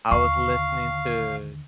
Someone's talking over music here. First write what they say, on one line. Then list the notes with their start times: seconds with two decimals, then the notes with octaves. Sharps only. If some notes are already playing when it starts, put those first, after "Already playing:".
I was listening to
0.11 D#2 D3 F5 C#6